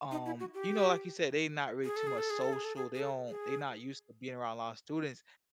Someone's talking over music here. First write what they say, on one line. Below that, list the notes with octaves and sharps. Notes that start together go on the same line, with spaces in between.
um, you know, like you said, they not really too much social. They don't they not used to being around a lot of students.
D#4
E4
F#4
G4
G#4
A4
G#4
A4
G#4
A4
G#4
A4
G#4
G#4
A4
G#4